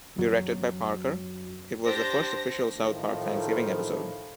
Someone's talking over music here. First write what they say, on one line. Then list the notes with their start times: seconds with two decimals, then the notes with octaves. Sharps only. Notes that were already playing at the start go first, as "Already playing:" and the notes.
Directed by Parker, it was the first official "South Park" Thanksgiving episode.
0.18 F#2 F#3
1.85 D4 G4 C5 A#6
2.76 A2 D#3 F3